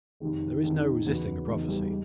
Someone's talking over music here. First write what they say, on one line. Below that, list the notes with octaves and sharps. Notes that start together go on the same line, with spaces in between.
There is no resisting a prophecy.
F2 C3 D#3 G#3
F2 C3 D#3 G#3
E2 C#3 F#3 B3 D#4
E2 C#3 F#3 G#3 B3 D#4
G3
G#3